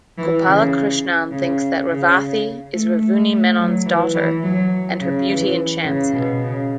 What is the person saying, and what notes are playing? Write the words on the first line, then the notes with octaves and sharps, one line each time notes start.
Gopalakrishnan thinks that Revathi is Ravunni Menon's daughter and her beauty enchants him.
E3
C#3
C#3
C#3
A3
A3
A3
F#3
E3
E3
F#3
C#3
E3
C#3
B2
C#3